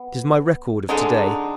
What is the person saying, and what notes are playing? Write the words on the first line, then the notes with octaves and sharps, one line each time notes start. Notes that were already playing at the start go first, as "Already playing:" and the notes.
It is my record of to-day.
Already playing: B3
D3 G#3 D#4